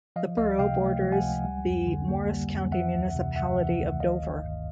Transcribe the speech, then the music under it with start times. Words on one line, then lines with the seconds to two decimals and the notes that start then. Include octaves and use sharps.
The borough borders the Morris County municipality of Dover.
0.16 F3 D#5 F5
0.37 C#2 D#5 F5
0.59 C3 F5 G5
0.80 A3
1.01 F3
1.12 F#5 G#5
1.23 C#2
1.45 G3
1.66 F2
1.87 D3
2.08 A#3
2.30 G3
2.51 F2
2.72 E3 E5 F#5
2.94 D2
3.15 C3
3.36 D2 E5 F#5
3.58 E3
3.79 D2
4.00 D#3 D#5 F5
4.22 G1
4.43 G2